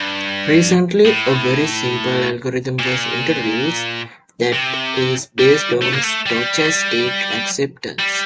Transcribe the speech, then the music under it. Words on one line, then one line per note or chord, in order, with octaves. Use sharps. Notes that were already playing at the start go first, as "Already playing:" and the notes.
Recently, a very simple algorithm was introduced that is based on "stochastic acceptance".
Already playing: G2
A2
A#2
C3
G3
A3
A#3
A3
G3
G3